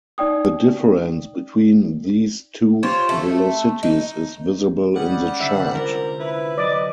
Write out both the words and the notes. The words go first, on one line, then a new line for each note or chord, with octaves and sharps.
The difference between these two velocities is visible in the chart.
D#4 D5 G5 D#6
F4 G4 C5 C#5
A3
D#4
G3 G#3 C#4 F#5
C2 D3 E5
F4 A#4 C5
E4 B4
F#3 D5 D#5